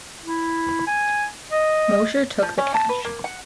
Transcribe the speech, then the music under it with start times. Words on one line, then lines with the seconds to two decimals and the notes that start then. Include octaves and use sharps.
Mosher took the cash.
0.25 E4
0.87 G#5
1.51 D#5
2.42 F3
2.58 C#4
2.74 A5
2.89 B4
3.05 A#3
3.24 F#5